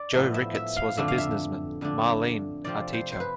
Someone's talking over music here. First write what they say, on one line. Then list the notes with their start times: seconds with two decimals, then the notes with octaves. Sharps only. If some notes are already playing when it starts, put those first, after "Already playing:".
Joe Ricketts was a businessman; Marlene, a teacher.
Already playing: D5
0.13 A2 F3 B3 E5
0.34 E5
0.55 E5
0.76 F5
0.97 F2 D3 A3 D4 E5
1.08 F5
1.18 E5
1.81 F2 D3 A3 D4
2.64 C3 F3 C4 D5
2.93 C5
3.12 C5
3.20 B4